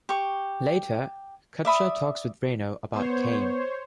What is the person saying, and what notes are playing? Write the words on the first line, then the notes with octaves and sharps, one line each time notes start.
Later, Cutshaw talks with Reno about Kane.
G4 C#6
D5 E5 B5 D#6
B3 C5 C#5